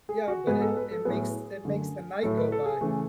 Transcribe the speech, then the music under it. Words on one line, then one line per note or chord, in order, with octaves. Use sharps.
Yeah, but it it makes it makes the night go by.
G#4
F#4
G#2 G#3 B3 G#4
A4
B4
A4
A2 F#3 B3 G#4
F#2 D3 A3
A2 F#3 A3 A4
B4
A4
G#4
C#3 E3 A3 G#4